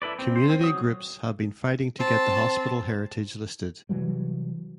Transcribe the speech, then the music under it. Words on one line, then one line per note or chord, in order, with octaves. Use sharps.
Community groups have been fighting to get the hospital heritage listed.
E4 A4 B4 D5
C4
C5
C4
F#3 D#6
C4 A5
C3 E3 F#3 G3